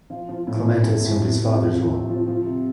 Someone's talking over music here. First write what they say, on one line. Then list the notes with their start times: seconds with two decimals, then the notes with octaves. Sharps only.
Clement assumed his father's role.
0.10 F3 F4
0.29 F3
0.47 A2
0.65 F3 E4
0.83 A2
1.00 A2
1.19 C3 B3
1.37 C3
1.55 F3
1.73 F3 C4
1.91 C3
2.10 F3
2.28 F3
2.45 C3